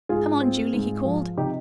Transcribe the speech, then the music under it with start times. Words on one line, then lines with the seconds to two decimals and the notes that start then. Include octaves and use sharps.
"Come on, Julie," he called.
0.09 G#2 F4 G#4
0.41 C4
0.73 G#2
1.05 F3
1.37 C3 D#4 G4